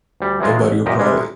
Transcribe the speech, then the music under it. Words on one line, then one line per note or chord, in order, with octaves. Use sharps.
Nobody will probably
D2 G3
E3 F#3 G#3 F4
A1
F#2 A#2 G4 D#5
C3 G3 G#3